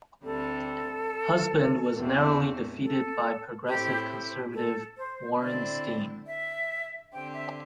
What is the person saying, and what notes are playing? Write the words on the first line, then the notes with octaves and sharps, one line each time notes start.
Huband was narrowly defeated by Progressive Conservative Warren Steen.
D2 C3 G3 C4 A4
E2 C3 A3 C4
A4
A2 A3 C4 E4 G4
G4
A4
C5
D3 C4 E4 D5
E5
D3 C4 G4 G5
E5